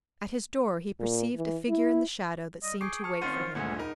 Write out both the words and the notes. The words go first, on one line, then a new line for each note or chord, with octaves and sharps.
At his door he perceived a figure in the shadow that seemed to wait for him.
A#2
E3
E4
G3 D#5
G#4 G5 C#6 D6 C7
A5 C#6 F6
D#3 C4 C#4 F4 F#4 C5 D#7
D2 G2 A#2 D3 G#3 A3 F#5 G#5
E1 D#4 A#4 B5